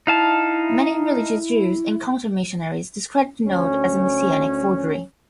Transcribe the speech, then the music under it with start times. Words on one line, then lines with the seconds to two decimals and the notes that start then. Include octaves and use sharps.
Many religious Jews and counter missionaries discredit the note as a Messianic forgery.
0.07 D#4 E4 F5 A5
3.45 D2 C#4